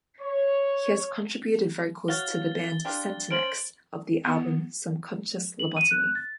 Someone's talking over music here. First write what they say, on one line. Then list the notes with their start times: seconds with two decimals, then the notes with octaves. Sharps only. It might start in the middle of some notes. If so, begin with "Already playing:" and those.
He has contributed vocals to the band Centinex of the album "Subconscious Lobotomy".
0.19 C#5
2.08 F#4 C#5 F5 A6 G7
2.85 D4 F4 G4
3.31 C#4 C5 D7 F#7
4.24 B3
5.59 F#7
5.77 D#7
5.91 F#6
6.15 A6